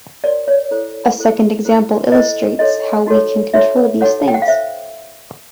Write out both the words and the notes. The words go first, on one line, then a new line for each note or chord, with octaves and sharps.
A second example illustrates how we can control these things.
F#4 A#4 C#5 D5
C#5
E4 A4 C5
E4 A4 C5
E4 A4 C5
E4 A4 C5 D#5
D#4 F#4 A4 C#5 D#5
D#4 F#4 A4 C#5
D#4 F#4 A4 C#5 E5
D#4 F#4 A4 C#5 F#5
G5
F#5
F5
C5 E5